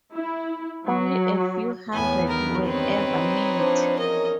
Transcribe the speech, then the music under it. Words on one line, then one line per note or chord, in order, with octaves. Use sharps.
Only a few hundred were ever made.
E4
F#3
E2 A2 B3 G#5
G2 D#3 A#4
C4 D#4 B4 C#5
F3 D4 C5
E2 C#4 A#4 D#5